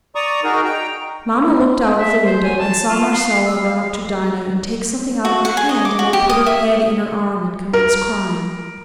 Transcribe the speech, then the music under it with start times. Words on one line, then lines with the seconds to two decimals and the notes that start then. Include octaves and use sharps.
Mamma looked out of the window and saw Marcella run up to Dinah and take something out of her hand and then put her head in her arm and commence crying.
0.15 D5 A#5 C#6 D#6
0.44 D#4 F#4 G#4 A#4
0.65 G5 A#5
1.98 E5
2.24 C5
2.44 G#5
2.58 A5
2.88 F4
3.12 F5
3.45 E6
3.63 F5
5.25 F#4
5.45 F#5
5.57 G#4
5.69 D#5
5.85 D6
5.99 F#4
6.13 G4
6.30 D#6
6.46 E5
7.73 A#4